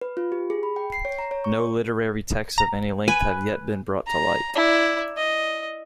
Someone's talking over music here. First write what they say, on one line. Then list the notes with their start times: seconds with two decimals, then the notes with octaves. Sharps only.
No literary texts of any length have yet been brought to light.
0.01 B4
0.17 F4
0.32 G4
0.50 G#4
0.63 B5
0.76 G5
0.92 C7
1.05 C#5
1.19 A#5
1.31 C#5
1.44 C#6
2.58 A#5
3.08 B4 G#5
4.07 A#5
4.55 E4 D5
5.17 D#5